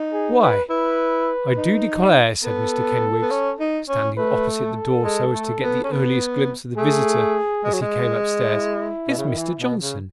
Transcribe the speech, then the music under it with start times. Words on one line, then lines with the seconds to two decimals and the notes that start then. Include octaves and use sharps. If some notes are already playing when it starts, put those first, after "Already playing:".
'Why, I do declare,' said Mr Kenwigs, standing opposite the door so as to get the earliest glimpse of the visitor, as he came upstairs, 'it's Mr Johnson!
Already playing: D#4
0.13 G#4
0.42 B4
0.70 E4 B4
1.57 D#4
2.44 B3 A4
3.22 B3
3.31 C#4
3.60 D#4
3.89 C#4
4.17 A3 B4
4.61 A4
5.04 G#3
5.32 A3
5.62 B3
5.84 C#4
5.91 B3
6.77 A3 G#4
7.64 G#3
7.73 F#3
7.81 G#3
8.51 E4
9.08 B2
9.17 C#3
9.28 D#3
9.38 E3
9.60 B2
9.81 C#3